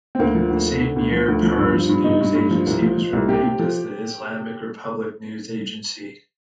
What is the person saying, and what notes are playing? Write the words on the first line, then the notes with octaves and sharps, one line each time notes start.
The same year Pars News Agency was renamed as the Islamic Republic News Agency.
C4
D2 A#3
F3
D2
D3
D3
D2
F3
D2
F3
G2
F3
G2
G2 D#4
G2
G2
F3
C2
F3
F3
C2
C3 G4
C3
F3